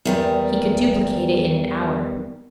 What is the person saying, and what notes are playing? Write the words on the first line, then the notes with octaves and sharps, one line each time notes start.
He could duplicate it in an hour.
E2 D#3 G3